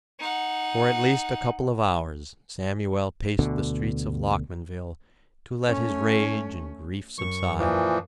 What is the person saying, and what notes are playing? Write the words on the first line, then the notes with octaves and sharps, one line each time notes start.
For at least a couple of hours Samuel paced the streets of Lockmanville, to let his rage and grief subside.
D#4 F#5
D2 B2 D3
A3 C#4
F#2 C#6
A#2 E3 F3